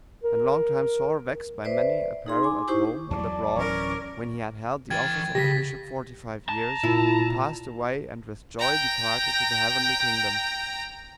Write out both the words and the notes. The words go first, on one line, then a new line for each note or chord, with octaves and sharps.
And long time sore vexed by many a peril at home and abroad, when he had held the office of a bishop forty-five years, he passed away and with joy departed to the heavenly kingdom.
A#4
B4 C5 D5 E5
D#4 G#4 C6
G#5 D6
D#4 E4 G4 C5 C#6
E2 F#3 D5 A5
D1 E3 F#3 C#4 A#4 C#6
E3 G5 G#6 A6
C2 C#3 G4 A#6 B6
A5 A#5
A#2 E4
G5 A#5